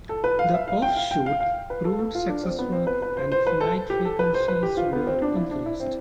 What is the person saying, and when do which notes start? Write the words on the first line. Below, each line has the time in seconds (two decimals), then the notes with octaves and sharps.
The offshoot proved successful and flight frequencies were increased.
0.09 A4
0.24 B4
0.39 F5
0.54 E5
0.68 F5
0.82 G5
0.97 F5
1.11 G5
1.26 F5
1.40 F5
1.70 B4
1.85 A4
1.99 A4
2.15 F4
2.29 D4
2.44 C4
2.59 B3
2.72 C4
2.87 B4
3.02 B4
3.17 C5
3.32 C5
3.47 B4
3.61 A4
3.90 G4
4.05 A4
4.19 B4
4.34 C5
4.48 B4
4.63 G4
4.77 F4
4.93 B3
5.07 C4
5.22 D4
5.36 E4
5.51 D4
5.66 E4
5.80 C4